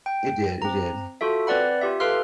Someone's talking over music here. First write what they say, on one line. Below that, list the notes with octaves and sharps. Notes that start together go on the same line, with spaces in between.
It did. It did.
G5
C4 A#5
F4 F#4 A4 E5
C4 B4 D5 F#5 B5
F4 G4 E5
A4 B4 F5 C6 F6